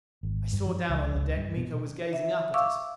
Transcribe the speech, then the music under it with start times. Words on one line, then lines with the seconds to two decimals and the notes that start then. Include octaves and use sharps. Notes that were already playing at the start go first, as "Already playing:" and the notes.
I saw down on the deck. Miko was gazing up at us.
0.23 G#1
0.53 G2
0.66 F3
0.89 C#2
1.15 C#2
1.36 G2
1.57 B2
2.13 E5
2.54 F5 C#6 D6 E6